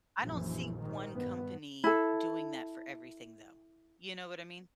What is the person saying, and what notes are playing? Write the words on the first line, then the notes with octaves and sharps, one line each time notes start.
I don't see one company doing that for everything, though, you know what I mean?
A#1 F#2 E3
G#2 D#3
G2 B3
E4 A4